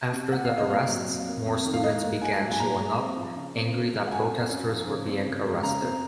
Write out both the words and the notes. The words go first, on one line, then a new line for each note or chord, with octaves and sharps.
After the arrests, more students began showing up, angry that protesters were being arrested.
C3
A#2 F#5
F5
C4
D#5
A#2 F5
F#3
F2
A#3
F2
D#3
F5
G#2 D#5
A#3
G#2 G#5
F#3
G#5
A#2 A#5
G#3
C4
F3
C#3
C4
C#3
G#3
F#5
F#2 G#5
C4
F#2
F3
C#3
C4
C#3
G#3
C#3 A#5
C4